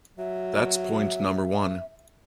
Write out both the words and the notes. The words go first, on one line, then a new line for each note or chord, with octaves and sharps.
That's point number one.
F#3 E5